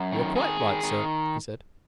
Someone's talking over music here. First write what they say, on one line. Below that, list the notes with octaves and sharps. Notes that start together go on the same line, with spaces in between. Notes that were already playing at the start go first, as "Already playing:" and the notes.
"You are quite right, sir," he said.
Already playing: F#2
D#3
D#3 G#4
D#3
D#3